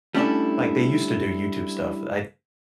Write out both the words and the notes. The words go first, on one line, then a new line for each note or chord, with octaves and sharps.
like, they used to do YouTube stuff, I'm
G3 A3 C#4 D4 E4 A4